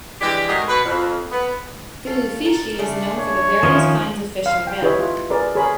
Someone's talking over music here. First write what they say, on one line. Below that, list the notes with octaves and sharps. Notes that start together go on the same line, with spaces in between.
Vilufushi is known for the various kinds of fishing available.
E3 G#3 D4 G4
G#2 F#3 A3 G#4 A#4 D#5
B2 B4
F2
B3
C#4 F4 A4
A4 A#4
C#3 A3 D4
C#5
D#3 F3 C#4 E4
F5
G5
E4 G4 B4 C#5 D#5 E5
F4
G#4 A#4 B4 D5
G#4 A#4 C#5 B5